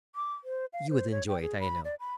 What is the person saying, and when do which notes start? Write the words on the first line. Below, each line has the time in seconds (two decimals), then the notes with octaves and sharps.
You would enjoy it, I know.
0.15 D6
0.44 C5
0.73 F5
0.90 C5
1.11 C#5
1.28 G5
1.41 G#4
1.60 B5
1.85 D5
2.00 B5